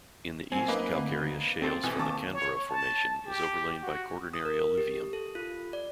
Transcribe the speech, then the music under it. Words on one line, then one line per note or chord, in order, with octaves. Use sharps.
In the east calcareous Shales from the Canberra Formation is overlain by Quaternary alluvium.
F#2 C4 G#5
A#3 D#4 B4
D2
C4 A4 C5
B2 E3 G4
D#2 A5 C#6 D6
C#5
A5
G4
F#4
D#6
A#4
G4
A4
F4
D5